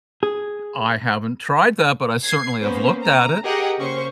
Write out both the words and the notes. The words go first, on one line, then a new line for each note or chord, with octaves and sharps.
I haven't tried that, but I certainly have looked at it.
G#4
G#6 C7
A#3 B3 C#4 B4 C5
A#5
G4 G#4 A#4 D#5 F#5 G5
C#3 A#3 C#4 C5 C#6